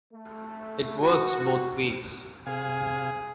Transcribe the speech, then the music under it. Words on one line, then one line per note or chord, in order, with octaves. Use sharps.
It works both ways.
A3
F#4
C3 G#4 F5 G#5